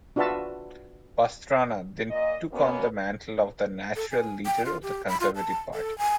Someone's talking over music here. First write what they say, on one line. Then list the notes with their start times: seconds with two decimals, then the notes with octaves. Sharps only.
Pastrana then took on the mantle of the "natural leader" of the Conservative party.
0.16 D4 F4 F#4 B4 E5 A5
2.10 A#2 D#5
2.51 B2 A#3 B3 C#4
3.96 A4
4.11 G#5
4.46 G5
4.65 F4
4.83 G4
5.09 B5
5.20 F4
5.36 A5
5.74 A4
5.98 G#5